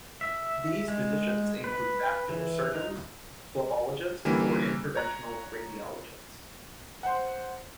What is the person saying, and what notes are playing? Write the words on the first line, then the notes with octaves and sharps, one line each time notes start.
These physicians include vascular surgeons, phlebologists or interventional radiologists.
E5
G#3
B4
E3
D#4
D3 E3 G3 A#3 C#4
C#5 A#5 F#6
C5 F#5